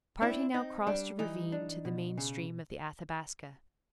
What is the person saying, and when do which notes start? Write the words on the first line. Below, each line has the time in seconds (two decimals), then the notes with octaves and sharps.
The party now crossed a ravine to the main stream of the Athabaska.
0.22 C4 D4 E4
0.54 C4 D#4
0.87 G3 D4
1.19 E3 D#4
1.52 D4
1.85 B2
2.18 C#3